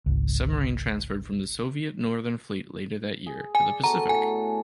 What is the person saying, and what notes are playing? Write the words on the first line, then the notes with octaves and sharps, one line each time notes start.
The submarine transferred from the Soviet Northern Fleet later that year to the Pacific.
G#1 C#2
G#4
D5 G#5
B3 F#4 A4 A#5
A2 G#5